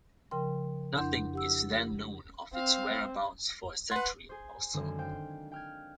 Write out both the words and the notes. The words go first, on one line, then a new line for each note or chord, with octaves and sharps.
Nothing is then known of its whereabouts for a century or so.
C#3 F3 A#4 G5 C6
F2 D4 E4 F#5 C6 G6
G4 F#5 E6
C4 F5
B4 F#5 C6
G#4 C5
F#2 D3 D#3 G#3 C4
C5 F5 G5
G5 F6 G#6